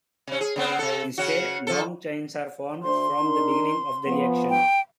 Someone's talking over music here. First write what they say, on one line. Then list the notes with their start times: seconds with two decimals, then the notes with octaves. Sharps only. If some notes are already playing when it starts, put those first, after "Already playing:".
Instead long chains are formed from the beginning of the reaction.
0.27 C3 C#4
0.41 G#4
0.56 C#3 B3 C4
0.79 C3 A4
1.18 C#3 C#4 F#4
1.67 F3 A4
2.83 D2 C5 C6
3.21 D4 D#4 A#4
4.06 F3 B3
4.50 G5